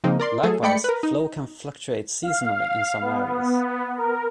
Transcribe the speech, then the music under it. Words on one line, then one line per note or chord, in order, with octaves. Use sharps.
Likewise, flow can fluctuate seasonally in some areas.
C#3 F3 A#3 C4 D#4
A#4 D5 C6
F#3 A3 G#4 A4
G#3 A3 D5 G5 B5 C#7
A#4 B4
D#4
F5
B3
A#4